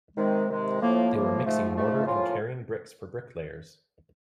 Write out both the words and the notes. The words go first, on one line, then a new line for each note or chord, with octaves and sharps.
They were mixing mortar and carrying bricks for bricklayers.
C3 D#3 G#3
C3 D#3 G#3
A2 F3 A#3
A2 F3 A#3
G#2 F3 A3
G#2 F3 A3
A2 F3 A#3 C#4 F4